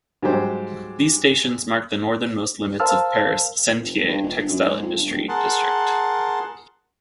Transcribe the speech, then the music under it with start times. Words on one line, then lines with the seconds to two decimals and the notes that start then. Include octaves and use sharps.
These stations mark the northernmost limits of Paris' "Sentier" textile industry district.
0.23 G#2 F#3 G3 G4 C5
2.80 A#4 C5 F5 A5 E6 F6
3.80 F1
3.97 G#1
4.09 G2
4.24 D#1
4.37 G1
4.49 F#2
4.65 G#2
4.83 F2
4.96 G1
5.11 D1
5.29 G#4 A#4 F#5 A5 C6